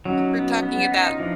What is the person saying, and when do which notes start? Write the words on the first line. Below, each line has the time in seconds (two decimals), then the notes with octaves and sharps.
we're talking about,
0.05 F#3 C#4 D#4
0.35 B3
0.63 B3
0.92 D#4
1.10 F4
1.19 F3 D4 E4